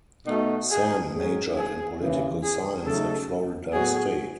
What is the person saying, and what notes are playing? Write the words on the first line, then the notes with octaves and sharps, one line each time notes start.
Sam majored in political science at Florida State.
B2 A3 D#4 F#4
G#4
G#2 F#3 C#4 G#4
G#4
D#2 C#3 E3
G#4
C#3 F#3 A3 D#4 A4
A2 F#3 B3 F#4 G#4